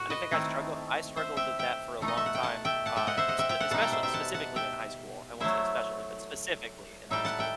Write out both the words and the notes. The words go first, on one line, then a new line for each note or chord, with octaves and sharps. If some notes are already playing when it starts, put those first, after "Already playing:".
And I think I struggle I struggled with that for a long time, uh, espe especially specifically in high school. I won't say especially, but specifically in high school.
Already playing: A2 F#4
B4 D#5
D#3 A3 C4 E4
C5 E5
E5 G5
E5 G5
B2 A3 D#4
D#5
E5
F#5
G5
F#5 A5
E5 G5
F#5 A5
E5 G5
D#5 F#5
C5 E5
D#5 F#5
E5 G5
E5 G5
F#5 A5
B2 G3 D#4 F#5 A5
E5 G5
C5 E5
E5 G5
F#5 A5
F#5 A5
E5 G5
F#3 A3 E4 C5 E5
A2 G3 D#4 E5 G5
F#5 A5
E5 G5